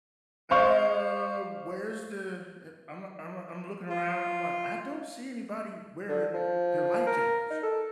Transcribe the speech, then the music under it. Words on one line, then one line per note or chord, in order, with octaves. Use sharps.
uh, where's the" e I'm I'm I'm looking around, I'm like, "I don't see anybody wearing their life jackets."
C5 F5 C#6
F4
D3
F3
A#4
D#4
A4